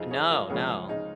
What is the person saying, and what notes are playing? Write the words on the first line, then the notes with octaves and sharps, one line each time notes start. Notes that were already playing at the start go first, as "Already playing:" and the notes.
No, no.
Already playing: F2 F3 D#4 F4 G#4
G#4 C#5
F4 A#4
C#2 C#3 F3 G#4 C#5
D#4 G#4